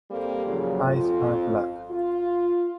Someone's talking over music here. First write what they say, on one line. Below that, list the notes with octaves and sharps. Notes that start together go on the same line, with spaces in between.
Eyes are black.
G3 A#3 C4 G4 A4
A#2 C#3 F3 F#3
F2 F4
F4